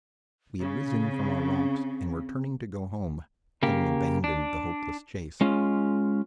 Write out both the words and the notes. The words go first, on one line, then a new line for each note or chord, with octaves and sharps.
We had risen from our rocks and were turning to go home, having abandoned the hopeless chase.
C#3 C#4
C4
C#3 A#3 G4
D4
G#3 C#4 F4